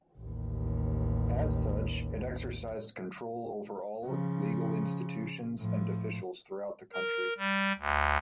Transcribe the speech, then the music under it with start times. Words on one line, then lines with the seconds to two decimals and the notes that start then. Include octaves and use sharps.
As such, it exercised control over all legal institutions and officials throughout the country.
0.19 A1 D#2
4.05 C#3 F3
5.58 A2 F3
6.93 A#4
7.38 G3
7.79 D2